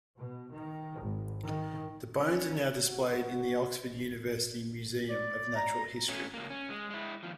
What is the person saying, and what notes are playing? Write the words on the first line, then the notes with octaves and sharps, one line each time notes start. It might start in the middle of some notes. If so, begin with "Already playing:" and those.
The bones are now displayed in the Oxford University Museum of Natural History.
B2
D#3
G#1
D#3
C#4
F#4
D5
A#5
A3 C#4
C#2 A#3
C#4
G#3
G#3 E4
D#2 F3